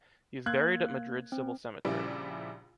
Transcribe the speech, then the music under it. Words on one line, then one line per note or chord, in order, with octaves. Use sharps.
He is buried at Madrid Civil Cemetery.
A#3 F#6 G#6
C4
A#1 C#3 G3 E4 D5